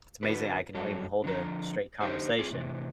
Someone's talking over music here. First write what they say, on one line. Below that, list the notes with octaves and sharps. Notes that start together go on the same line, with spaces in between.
it's amazing I can, uh, even hold a straight conversation.
D3 F#4 B4
G2 F#3 A4
D3 F3 A#5
D3 D#4 G4 C5
C4 F4 G#4
A2 C3 E3